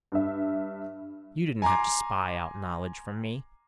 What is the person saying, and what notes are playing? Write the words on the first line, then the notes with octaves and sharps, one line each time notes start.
You didn't have to spy out knowledge from me.
G2 E5
G#5 A#5 C6 D6